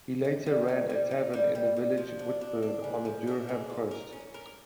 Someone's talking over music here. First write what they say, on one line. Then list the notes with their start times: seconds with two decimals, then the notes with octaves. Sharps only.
He later ran a tavern in the village Whitburn on the Durham coast.
0.25 D#4
0.46 G3
0.68 D#4
0.90 G3
1.11 D#4
1.34 G3
1.55 G3
1.76 G3
1.98 F3
2.19 D4
2.41 D4
2.63 D4
2.84 C#3
3.05 F3
3.27 D4
3.49 C#3
3.70 F4
3.91 A#4
4.13 C#4
4.34 A#4